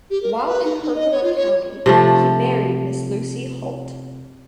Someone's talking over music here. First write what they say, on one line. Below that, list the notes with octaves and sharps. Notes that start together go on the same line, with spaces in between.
While in Herkimer County, he married Miss Lucy Hult.
G4
A#4
F5
B4
D#4
D#4
D#5
C#5
F4
C#5
C3 F3 A3